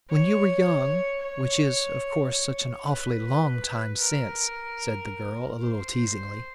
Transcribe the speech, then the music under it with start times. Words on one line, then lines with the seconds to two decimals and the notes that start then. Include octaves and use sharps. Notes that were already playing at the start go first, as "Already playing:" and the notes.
"When you were young--which is, of course, such an awfully long time since!" said the girl, a little teasingly.
0.10 C#5
1.20 C#5
2.32 C#5
2.87 B4
3.97 A#4
5.65 C5